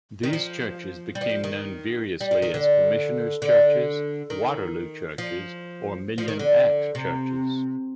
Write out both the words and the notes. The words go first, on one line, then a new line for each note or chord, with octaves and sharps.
These churches became known variously as Commissioners' churches, Waterloo churches or Million Act churches.
D#3
F3
G3
F3
D#3
G3
F3
D#3
D3
D3
D#3
F3
F3
D#3
D3
C3